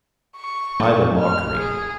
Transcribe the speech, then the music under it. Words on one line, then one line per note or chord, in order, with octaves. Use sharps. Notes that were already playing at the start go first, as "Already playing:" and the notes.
Idle mockery.
C#6
A3
F6
G#4